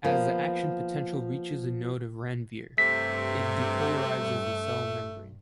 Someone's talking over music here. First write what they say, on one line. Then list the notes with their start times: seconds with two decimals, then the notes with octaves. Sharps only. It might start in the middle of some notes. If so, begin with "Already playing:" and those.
As the action potential reaches a node of Ranvier, it depolarises the cell membrane.
0.04 F3 A#3 B3
2.78 G2 C3 A3 B6